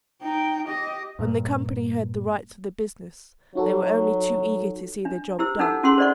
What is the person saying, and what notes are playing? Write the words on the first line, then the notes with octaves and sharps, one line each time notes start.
When the company heard the rights of the business, they were only too eager to see the job done.
D#4 G5
G4 D#5
G2 A#2
F#3 D#4 F#4 A4
D4
E4 G4 C5 E6
D4 D#4 A4 F#5 E6
C#4 F#4 G#4 F#5 C6 E6
C5 D5 D#5 F#5 C#6